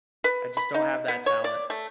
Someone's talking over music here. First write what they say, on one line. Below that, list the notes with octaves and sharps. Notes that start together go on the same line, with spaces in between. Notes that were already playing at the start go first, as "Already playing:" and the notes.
I just don't have that talent.
B4
B5
D#4
B3
C#5
D5
A3